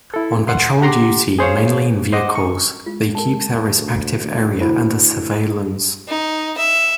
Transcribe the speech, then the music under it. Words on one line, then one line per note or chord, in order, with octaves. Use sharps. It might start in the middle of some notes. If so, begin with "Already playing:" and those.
On patrol duty, mainly in vehicles, they keep their respective area under surveillance.
E4 A4
F#5 C6
G4 F#5 A#5 C6 D6
G#4 C5 C#5 F5
C5 D#5 F#5 D6
C#6
G#3 F4
A#4 A5
D2
E4 C5 B5
D#4
E5